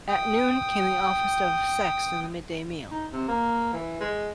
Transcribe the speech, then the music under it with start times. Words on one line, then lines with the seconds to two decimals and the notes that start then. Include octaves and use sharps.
At noon came the office of "Sext" and the midday meal.
0.09 G5 D#6
2.91 D#4
3.13 C3
3.28 A#3
3.73 E3
4.00 G#3